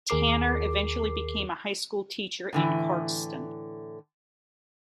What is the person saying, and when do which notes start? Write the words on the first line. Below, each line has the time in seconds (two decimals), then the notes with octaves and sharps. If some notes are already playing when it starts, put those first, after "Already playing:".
Tanner eventually became a high school teacher in Cardston.
0.09 D#2 G#4 A#4 D6 C7
2.53 A2 D3 E3